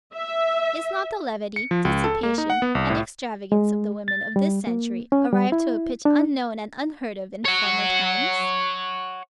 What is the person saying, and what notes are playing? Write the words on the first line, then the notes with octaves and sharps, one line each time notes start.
Is not the levity, dissipation, and extravagance of the women of this century arrived to a pitch unknown and unheard of in former times?
E5
C#7
F3
C#2
A4
A#3
D#4
F#5
B3
C2
A2
G#3
A6
G3
A#3
C#4
G3
E4
D4
C#5 F#5